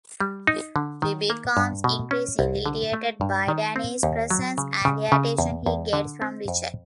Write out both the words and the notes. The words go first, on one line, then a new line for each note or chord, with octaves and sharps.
She becomes increasingly irritated by Danny's presence and the attention he gets from Richard.
G3
D#4
D3
D#3
A#3
G2
B2
C#4
C2
D3
A3
G2
D#3
C4
D#2
F#3
C#3
C#3
C#3
E2
E2
D3
C4
F2